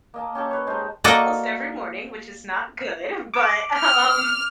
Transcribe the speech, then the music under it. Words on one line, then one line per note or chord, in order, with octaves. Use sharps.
almost every morning, which is not good, but, um,
A#3 D#5 A5
C#4 G4 A4
B4 C#5
G#3 D#4 C5 A5
A#3 F#4 A4 D5 D#5
D6
F6